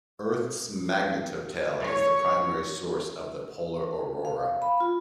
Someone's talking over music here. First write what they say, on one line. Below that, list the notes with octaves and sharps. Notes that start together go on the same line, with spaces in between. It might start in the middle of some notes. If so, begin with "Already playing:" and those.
Earth's magnetotail is the primary source of the polar aurora.
C#5
F5
B5
F4